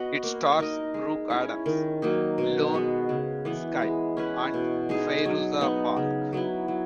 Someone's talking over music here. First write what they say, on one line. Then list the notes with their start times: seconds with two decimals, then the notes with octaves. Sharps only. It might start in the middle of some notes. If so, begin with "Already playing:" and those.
It stars Brooke Adams, Ione Skye, and Fairuza Balk.
Already playing: B3 F#4 B4 D#5
0.23 A#3
0.58 D#4 A#4 D#5
0.94 G#3
1.30 C#4 E4
1.66 D#3
2.02 F#3 A#3 D#4
2.38 B2
2.74 G#3 B3 F#4
3.09 C#3
3.45 E3 B3
3.82 G#3
4.17 C#4 E4 B4
4.54 B2
4.89 G#3 D#4 G#4
5.25 F#3
5.61 B3 D#4
5.97 C#3
6.33 F#3 B3 E4
6.68 F#3